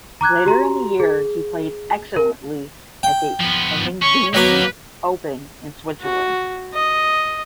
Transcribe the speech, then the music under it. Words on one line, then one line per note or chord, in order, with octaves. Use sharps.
Later in the year he played excellently at the Engadine Open in Switzerland.
A#5 D6 F#6 G#6
F#4 G4 A#5 C6
G#4
A#4
G5
F3 B3
C#4 C#6
F#3 A#3 D#4 B4 C#6 D6
F#4
D#5